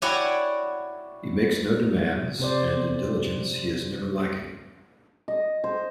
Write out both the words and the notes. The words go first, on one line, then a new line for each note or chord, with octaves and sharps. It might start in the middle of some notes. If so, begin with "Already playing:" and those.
He makes no demands, and in diligence he is never lacking.
E4 F#4 C#5 D5 G5 G#5
C3 C5 D5
D#5
C5